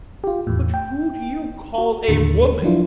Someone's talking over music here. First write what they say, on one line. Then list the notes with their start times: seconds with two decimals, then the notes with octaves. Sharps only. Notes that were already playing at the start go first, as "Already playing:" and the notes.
'But who do you call a woman?
0.24 F4 G4
0.47 E2 A2
0.74 G5
1.78 F#4
2.08 D#2 A2 D3
2.62 F3 F#3 D4 E4 F4